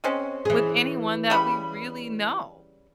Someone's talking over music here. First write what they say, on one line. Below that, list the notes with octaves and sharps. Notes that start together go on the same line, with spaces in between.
with anyone that we really know.
G#3 C4 C#4
E3 G#4
C#3 G3 B5